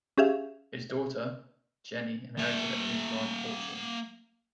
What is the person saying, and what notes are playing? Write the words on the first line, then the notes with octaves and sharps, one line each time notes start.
His daughter, Jennie inherited his large fortune.
C#4 G4 G#4 E5 F5
A#3 E5